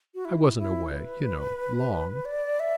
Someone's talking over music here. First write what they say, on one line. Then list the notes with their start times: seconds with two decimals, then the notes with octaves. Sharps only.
"I wasn't away, you know, long."
0.14 F#4
0.25 E4
0.58 E4
0.91 B4
2.25 D5
2.60 E5